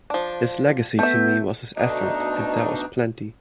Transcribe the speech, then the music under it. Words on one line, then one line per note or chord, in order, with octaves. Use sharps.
His legacy to me was his effort, and that was plenty.
F3 D4
A3 B3 E5 G6
D2 B2 D4 D#4